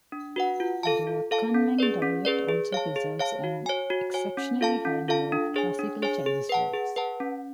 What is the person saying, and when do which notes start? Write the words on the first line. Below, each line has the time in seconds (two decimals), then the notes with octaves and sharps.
The Kunming dialect also preserves an exceptionally high number of classical Chinese words.
0.12 D4
0.36 F#4 B4 F#5
0.60 F4
0.83 A4 F5 A5
1.07 F4
1.31 A4 F5 A5
1.54 C#4
1.79 G#4 B4 D5
2.02 C#4
2.25 G#4 B4 D5
2.49 G#4
2.73 C#5 F5 A5
2.96 G#4
3.20 C#5 F5 A5
3.44 F#4
3.66 C#5 G#5
3.90 F#4
4.14 C#5 G#5
4.37 C#4
4.61 F4 A4 F5 A5
4.85 C#4
5.08 F4 A4 F5 A5
5.32 D4
5.56 G#4 C#5 G#5
5.79 D4
6.02 G#4 C#5 G#5
6.26 G#4
6.49 B4 F#5 A5
6.74 G#4
6.96 B4 F#5 A5
7.20 C#4